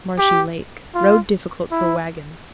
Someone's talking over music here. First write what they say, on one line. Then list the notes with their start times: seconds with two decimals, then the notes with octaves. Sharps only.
Marshy Lake.--Road difficult for wagons.
0.18 G4
0.95 F4
1.72 E4